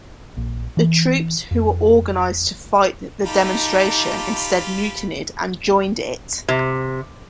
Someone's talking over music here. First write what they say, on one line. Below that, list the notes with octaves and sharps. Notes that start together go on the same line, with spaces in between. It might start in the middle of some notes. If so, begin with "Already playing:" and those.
The troops who were organized to fight the demonstration instead mutinied and joined it.
A#1
E3
F2
D#4 F4 G4 A5 B5 D6
C3